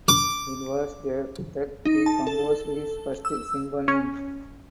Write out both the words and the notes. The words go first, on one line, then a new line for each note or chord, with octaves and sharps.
It was there that he composed his first symphony.
D6
D#4
A5
A4
E6
C#4